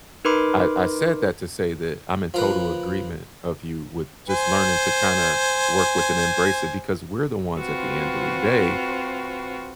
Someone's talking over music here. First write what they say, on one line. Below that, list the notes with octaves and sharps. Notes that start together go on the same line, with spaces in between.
I I said that to say that I'm in total agreement of you with just learning to kinda work with and embrace it because we're the ones at the end of the day
D#4 A#4 B4 B5 C6 D6
F3 A#4 B4
C5 G#5
C4 F4 F#4 B4